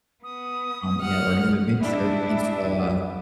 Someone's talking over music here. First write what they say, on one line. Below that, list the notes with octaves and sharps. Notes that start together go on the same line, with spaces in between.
um, yeah, or a new adventure, and so, uh,
B3 D#6
F#5 F6
G#3 D4 E4 G4 E5